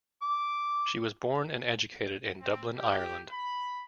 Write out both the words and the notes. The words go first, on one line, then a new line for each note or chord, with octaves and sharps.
She was born and educated in Dublin, Ireland.
D6
C4
G4
B5